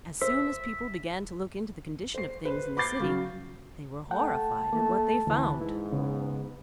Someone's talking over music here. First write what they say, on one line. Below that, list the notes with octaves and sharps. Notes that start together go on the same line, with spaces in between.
As soon as people began to look into the condition of things in the city they were horrified at what they found.
C5 E5
C5 C7
B4 C5
B5 D6 G6 A6 C7
C#3 F#3
A3 F#5 G5 A5
A3 A#3
D2 E3
G#2 E4
C#3 B3